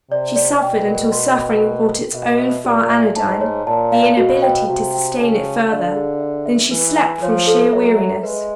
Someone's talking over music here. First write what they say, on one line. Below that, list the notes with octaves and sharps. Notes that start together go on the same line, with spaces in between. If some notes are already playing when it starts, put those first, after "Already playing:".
She suffered until suffering brought its own far anodyne--the inability to sustain it further,--then she slept, from sheer weariness.
C3 D5
D5
B2 G5
A#4
C6
G5
A#4
A#4
B2 E5
E5
A#2 G4
E5
G#2 A5
C#5
A#2 A5
F5
B2 F#4
G5
C3 F#4
G5
C#3 A5
A5
D3 F5
G#4
E5
E5
E3 B4
G#5
F3 C#5
A4
F#3 E5
E5
G#3 B4